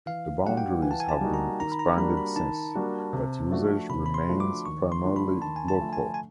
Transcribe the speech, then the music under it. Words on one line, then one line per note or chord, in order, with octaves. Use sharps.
The boundaries have been expanded since, but usage remains primarily local.
E3 F5
G3 A#3 D#4 F#4 F#5
G5
E3 G#5
A5
G#5
A5
G3 A#3 D#4 F#4
A#5
D#3 A#5
B5
A#5
G3 A#3 D4 F#4 B5
B5
D#3 A5
G3 A#3 D4 F#4
C3
F3 A3 D4 F#4
C3 B5
B5
C6
F3 A3 D4 F#4
D6
D#2 C#6
C6
D3 F3 A3 D4
B5
D#2 A5
G#5
A5
D3 F3 A3 D4
G#5
G#5